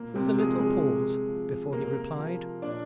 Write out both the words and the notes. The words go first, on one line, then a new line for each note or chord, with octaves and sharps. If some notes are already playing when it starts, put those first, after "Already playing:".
There was a little pause before he replied.
Already playing: A#2 A#3
C3 C4
F3 G#3 G#4
G#3 G#4
C3
F3
C3 A#3 A#4
F3
A#2 D4 D5